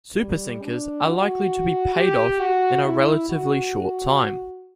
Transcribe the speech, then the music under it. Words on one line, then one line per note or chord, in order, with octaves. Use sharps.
Super sinkers are likely to be paid off in a relatively short time.
G3
D4
F#4
G4
F#4
E4
F#4